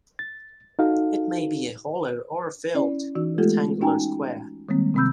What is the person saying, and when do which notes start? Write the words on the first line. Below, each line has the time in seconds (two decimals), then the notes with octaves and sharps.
It may be a hollow or filled rectangle or square.
0.19 A6
0.79 D#4 F#4 A4 F5
2.74 C#4 E4 D5
3.15 E3 D#4 F#4
3.38 G#3 A3 B3 F4 G4 A4
3.81 C#4 D#4 F#4 G5 G#5 A#5
4.69 D#3 G3 G#3 A#3 C4
4.94 C3 D#3 C4 B5 E6 G6